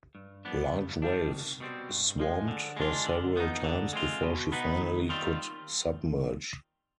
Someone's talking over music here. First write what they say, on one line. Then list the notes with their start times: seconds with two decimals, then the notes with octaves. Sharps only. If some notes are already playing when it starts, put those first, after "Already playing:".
Large waves swamped her several times before she finally could submerge.
0.15 G2
0.45 F3 B3 D4
0.74 G2
1.02 D#3 G3 D4
1.32 C2
1.60 B2 G3 C4
1.89 G2
2.20 F3 G#3
2.48 D3
2.77 G#3 B3 D4 F4
3.06 D3
3.36 F3 B3 D#4
3.64 D3
3.93 G#3 C4 F4
4.23 B2
4.52 B3 D#4 B4
4.81 D#2
5.09 D#3 G3 C4 F4